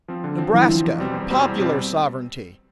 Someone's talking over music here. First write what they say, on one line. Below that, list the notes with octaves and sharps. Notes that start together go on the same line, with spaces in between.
Nebraska--Popular Sovereignty.
F3 C4
D3
F3 C4
D3 E3
F3 C4
E2
B2 G3 C4
E2
B2 G3 C4
E2
B2 G3 C4